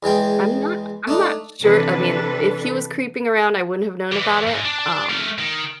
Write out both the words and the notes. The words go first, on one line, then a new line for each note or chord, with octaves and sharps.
I'm not I'm not sure, I mean, if he was creeping around, I wouldn't have known about it, um,
E2 E3 G#3 G5
A3 D4 D#4
C3 E3 D4 A4 B4
D3 E3
G#2
D4
A3 A#4
D#3